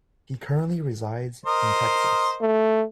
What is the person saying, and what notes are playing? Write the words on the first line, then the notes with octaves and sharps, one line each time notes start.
He currently resides in Texas.
A#4 C5 D#5
A3